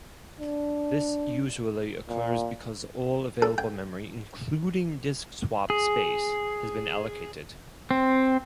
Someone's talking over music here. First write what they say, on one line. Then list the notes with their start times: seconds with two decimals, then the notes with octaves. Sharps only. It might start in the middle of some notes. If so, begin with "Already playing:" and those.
This usually occurs because all available memory, including disk swap space, has been allocated.
0.40 D4
2.09 A#2
3.42 A4
3.58 G5
5.70 G#4
7.91 C4